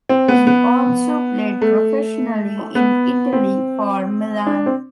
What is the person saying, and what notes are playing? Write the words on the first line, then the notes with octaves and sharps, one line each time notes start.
He also played professionally in Italy for Milan.
C4
B3
B3
A3
B3
C4
D4
C4